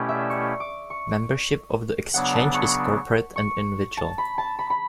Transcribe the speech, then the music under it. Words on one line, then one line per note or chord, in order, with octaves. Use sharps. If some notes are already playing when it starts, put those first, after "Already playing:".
Membership of the Exchange is corporate and individual.
Already playing: B2 A3 C#4 E4 G4 D5
E5
C#6
D6
C#6
C#3 F#3 B3 D4 F#5
A5
C#6
C#6
A5
B5
A5
B5
B5